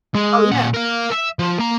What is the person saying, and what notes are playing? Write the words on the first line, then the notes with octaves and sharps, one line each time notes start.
Oh, yeah.
G#3
A#2 F#5
A#4 F5
E5
F3
A#3 A#5